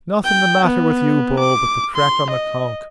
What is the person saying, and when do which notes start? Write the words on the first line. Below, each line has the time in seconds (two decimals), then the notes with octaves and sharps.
"Nothin' the matter with you, Bo, but the crack on the conk."
0.24 G5
0.66 B3
1.40 D6
1.96 C6
2.30 D#5